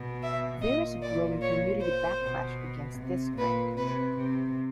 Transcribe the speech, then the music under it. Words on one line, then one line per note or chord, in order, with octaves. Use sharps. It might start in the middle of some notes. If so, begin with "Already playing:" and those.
There is a growing community backlash against this trend.
Already playing: B2
E5
A#2 D#5
D5
C#5
C5
B2
C3
A#2 B4
C3 B4
C3